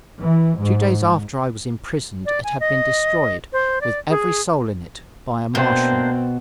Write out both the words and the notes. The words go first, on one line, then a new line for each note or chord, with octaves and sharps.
Two days after I was imprisoned it had been destroyed, with every soul in it, by a Martian.
E3
G#2
D5
G#5
D#5
C5
D5
G#4
B2 A#3 C4 D4 C5